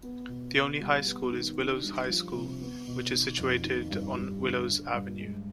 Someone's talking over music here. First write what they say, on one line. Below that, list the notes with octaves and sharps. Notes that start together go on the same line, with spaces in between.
The only high school is Willows High School which is situated on Willows avenue.
B3
B2
B3
G3
B3
D#3
D4
G3
F3
C3
B3
B2
D#3
F2
D#3
G2
G3
D3
D3
G2
G#3